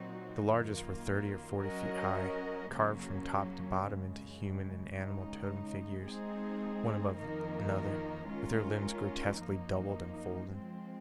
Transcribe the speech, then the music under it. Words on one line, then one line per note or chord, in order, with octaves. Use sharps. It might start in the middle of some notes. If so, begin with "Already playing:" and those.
The largest were thirty or forty feet high, carved from top to bottom into human and animal totem figures, one above another, with their limbs grotesquely doubled and folded.
Already playing: A#2 F#3 C4 D#4 F#4
F#2 D#3 A#3 F4
F#3 C#4 F#4 A#4 D#5
F#2 C#3 F#3 A#3 C#4
F#2 C#3 G#3
C#3 G#3 D#4
G#3 C4 D#4 G#4
F2 D#3 A#3 D#4 A#4
D#3 G#3 C#4 F4 A#4
F#2 F3 A#3 D#4
F3 G#3 C4